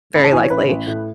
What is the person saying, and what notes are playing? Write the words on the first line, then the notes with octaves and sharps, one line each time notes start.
very likely.
A1 B5
A5
E3 G#5
C#5
A1 B4
A1
A2